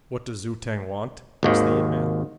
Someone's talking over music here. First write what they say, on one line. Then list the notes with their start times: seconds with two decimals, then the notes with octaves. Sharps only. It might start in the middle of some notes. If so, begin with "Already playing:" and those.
"What does Zu-tag want?" asked the ape-man.
1.43 G#1 D#2 D#3